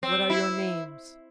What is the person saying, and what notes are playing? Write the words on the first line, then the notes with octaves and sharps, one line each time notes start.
"What are your names?"
C4
E4